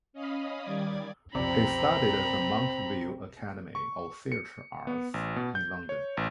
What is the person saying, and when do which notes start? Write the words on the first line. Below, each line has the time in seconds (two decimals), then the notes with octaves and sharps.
He studied at the Mountview Academy of Theatre Arts in London.
0.13 C#4 D#5 F5 B5 D#6
0.62 D#3 G3 D5 D6 G#6
1.35 B1 F2 C3 C4 D5 A#5 B5
3.75 C#6
4.32 C#7
4.87 B3
5.14 A1
5.36 B2
5.55 G6
5.89 C#5
6.17 A1